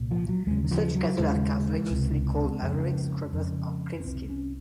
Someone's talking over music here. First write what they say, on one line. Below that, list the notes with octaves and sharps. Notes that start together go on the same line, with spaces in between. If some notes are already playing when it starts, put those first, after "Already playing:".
Such cattle are variously called mavericks, scrubbers or cleanskins.
Already playing: C2 A#2
F3
F#3
D#2 C#3 G#3
D#3
F3
F#3
D#2 C#3 G#3
C#2 C3
F2 C#3
F2 C#3
C#4
C2 C3 C4
C#4